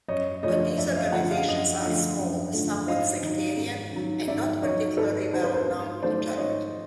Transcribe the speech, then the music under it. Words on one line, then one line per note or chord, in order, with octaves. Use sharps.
But these organizations are small, somewhat sectarian, and not particularly well known in Germany.
F#2 C#5 D#5
D3 F3 A3 C#5 D#5
F#2 D5 E5
D#5 F5
D3 F3 A3 E5 F#5
D#5 F5
F#2 D#5 F5
D3 F3 A3
F#2
D3 F3 A3
G#2 D#5 F5
D#3 F#3
G#2
D#3 F#3
G#2 D5 E5
D#3 F#3 C#5 D#5
G#2 A4 B4
D#3 F#3 C5
B4
A#4 C5
G#2
D#3 F#3 A3 C5 D5
G#2 C#5 D#5